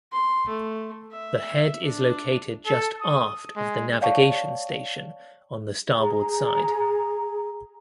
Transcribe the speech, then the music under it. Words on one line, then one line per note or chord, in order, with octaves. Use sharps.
The head is located just aft of the navigation station on the starboard side.
C6
A3
E5
D4
A4
D#6
G#3
C#5 D5 F5 G5 A5 C#6
G#4 A#5